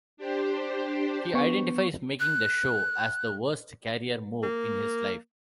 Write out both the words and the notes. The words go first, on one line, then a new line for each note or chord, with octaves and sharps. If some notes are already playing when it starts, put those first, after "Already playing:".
He identifies making the show as "the worst career move" in his life.
D4 G4 C5
B3 C#6
F#6
A#3